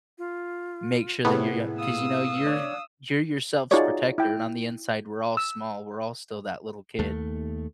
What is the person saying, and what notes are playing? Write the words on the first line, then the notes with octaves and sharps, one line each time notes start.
make sure that you're young 'cause, you know, you're you're yourself's protector, and on the inside, we're all small we're all still that little kid.
F4
A2 C3 B3 E4 G#4
F5 D#6 E6
D4 C#5 D5
D#4 F4 F#4 G#4 C#5 D5
E4 G5
E6
D#2 A3